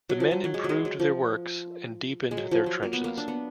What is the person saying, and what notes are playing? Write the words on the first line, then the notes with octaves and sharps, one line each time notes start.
The men improved their works and deepened their trenches.
F#3
F3
F#3
F#3
G#3
F#3 G#3
F#3
F3
G#3
F#3
F3
F#3
A#3
B3
A#3
D4
B3